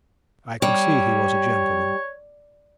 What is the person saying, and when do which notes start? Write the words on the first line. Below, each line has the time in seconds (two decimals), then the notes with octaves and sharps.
I could see he was a gentleman.
0.62 G3 C#5